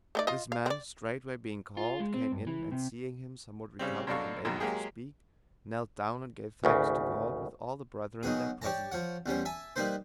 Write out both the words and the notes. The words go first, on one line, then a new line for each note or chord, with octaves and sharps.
This man, straightway being called, came in, and seeing him somewhat recovered and able to speak, knelt down, and gave thanks to God, with all the brethren there present.
A3 D#4 D5
F4 D#5
F5
C4 D5
F4
G#3
C4
G2
E3
C3
C#3 G3 C4
F#2 B2 D4 A4 F5 C#6
A#1 F#2 B2 D#3
F#3 G#3 A#3 G4 G#4
G#1 D2 C#3
D#3 F#3 B3 G#4
G4 C#5 D5 A5 A#5
F3 C#5 F#5
E2 G3 C#4 C5
E5 G#5 A5
G3 A#3 D#4 B4 C5